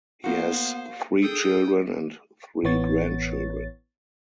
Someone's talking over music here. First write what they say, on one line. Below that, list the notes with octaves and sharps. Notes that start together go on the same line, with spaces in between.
He has three children and three grandchildren.
A#3 B3 F#4 C5 F5
G#4 A4 G5 D#6
A1 E3 B3 C#5 A6